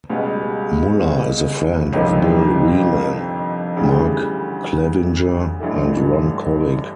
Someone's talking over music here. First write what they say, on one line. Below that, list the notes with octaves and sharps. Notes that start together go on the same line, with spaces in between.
Muller is a friend of Bill Wieman, Mark Clevinger, and Ron Kovic.
C#2 B2 G3 B3
G1 F2 C3 D#3
D2 C#3 E3 G3
A1 G2 E3 A3